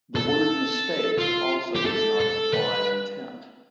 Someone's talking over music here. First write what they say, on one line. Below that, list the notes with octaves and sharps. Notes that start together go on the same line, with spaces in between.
The word "mistakes" also does not imply intent.
A4
F4
G4
A4
A4
B4